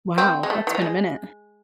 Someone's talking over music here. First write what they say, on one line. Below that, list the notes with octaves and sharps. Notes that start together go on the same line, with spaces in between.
Wow, that's been a minute.
C4
G#3
A3
E3
F3
G#3